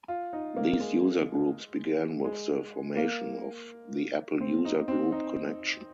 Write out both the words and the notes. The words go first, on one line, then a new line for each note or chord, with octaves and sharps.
These user groups began with the formation of the Apple User Group Connection.
F4
D#4
A#3
G#3
G#3
A#3
C4
D#4
C4
D#4